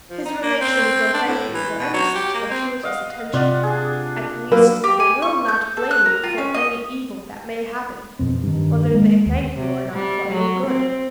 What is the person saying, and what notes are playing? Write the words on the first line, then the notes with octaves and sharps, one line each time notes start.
His relations will thank you for any such gratuitous attention: at least they will not blame you for any evil that may happen, whether they thank you or not for any good.
F3
D#4
A#3
C4
D4
A2
E3
B2
F#3
G4
A#3
C4
D#5 F5 F#5
C3 F4 D5 F#5
D4 G#4
F#3 A#3 B4 E5
G4
G#5
C#6
G6
A4
F#6
A#4
F4
C#4
D#5
F2 B2 C4
G2 D#3
G#3 A#3
D#2
C3
G3
F#3
C4